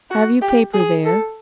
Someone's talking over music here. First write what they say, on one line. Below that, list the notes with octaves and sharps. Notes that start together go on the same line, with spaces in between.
Have you paper there?
F#4
G4
G#4
A4